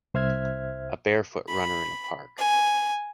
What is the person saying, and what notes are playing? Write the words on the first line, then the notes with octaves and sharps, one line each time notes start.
A bare foot runner in a park.
C2 C5 E5 F6 G#6
B5
G#5